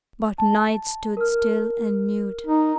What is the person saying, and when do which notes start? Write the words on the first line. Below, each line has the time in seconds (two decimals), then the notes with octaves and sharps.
But Night stood still and mute.
0.38 A5
1.17 A#4 F6
2.46 D#4